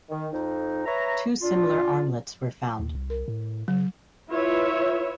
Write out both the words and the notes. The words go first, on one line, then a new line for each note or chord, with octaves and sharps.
Two similar armlets were found.
D#3
F2 D#4
B4 C#5 E5 A#5
D4 F4
D#2
C2
A#4
A2
C#3 F#3
E4 F4 B4 C#5 E5